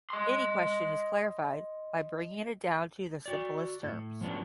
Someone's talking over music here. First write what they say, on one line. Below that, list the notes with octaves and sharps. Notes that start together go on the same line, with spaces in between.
Any question is clarified by bringing it down to the simplest terms.
D#5 C6
F#4 D5
A2
F3 F#3 B3 C#4 D4 F4